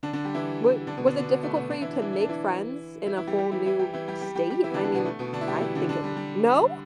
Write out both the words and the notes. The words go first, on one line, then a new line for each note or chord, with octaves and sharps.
Wa was it difficult for you to make friends in a whole new state? I mean, I think it would no?!
D3 D4
D3 D4
G3 G4
E3 E4
D3 D4
B2 B3
D3 D4
D3 D4
B2 B3
A3
B2 B3
D3 D4
E3 E4
D4
E3 E4
E4
D4
E3 E4
E3 E4
E3 E4
G3 G4
G3 G4
E3 E4
E3 E4
G3 G4
E3 E4
G3 G4
G3 G4
G3 G4
G3 G4
E3 E4
B3
D3 D4
D3 D4
B2 B3
A3
B2 B3
D3 D4
E4
G3 G4
E3 E4
D3 D4
D3 D4
G3
G3